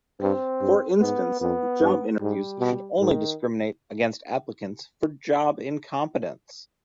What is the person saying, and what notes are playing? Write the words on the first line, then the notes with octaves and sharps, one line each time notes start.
For instance, job interviews should only discriminate against applicants for job incompetence.
G2 C4
G2
G#2 B3
F2 B3
G2
G#2 G3
B2
G#2 D#3